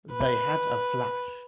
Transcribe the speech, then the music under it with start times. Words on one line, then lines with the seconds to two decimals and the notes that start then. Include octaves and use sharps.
They had a flash.
0.12 B4